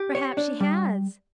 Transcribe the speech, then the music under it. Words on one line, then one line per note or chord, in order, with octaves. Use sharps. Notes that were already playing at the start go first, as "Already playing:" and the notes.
Perhaps she has.
Already playing: G4
C#5
D4
G3